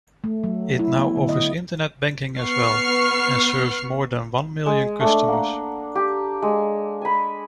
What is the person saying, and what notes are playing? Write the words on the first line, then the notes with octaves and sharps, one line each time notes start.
It now offers internet banking as well and serves more than one million customers.
A3
F#3
E4
B3
D3
D#5
B3 C#6 F6 C7
G#3
A3 D4
A#3 F#5
G4
G#3
G#5 B5